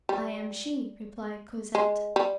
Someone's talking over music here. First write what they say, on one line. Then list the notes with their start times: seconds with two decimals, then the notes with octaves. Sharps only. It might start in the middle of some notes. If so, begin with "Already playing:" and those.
"I am she," replied Cosette.
0.09 G3
1.75 G#3
2.16 G3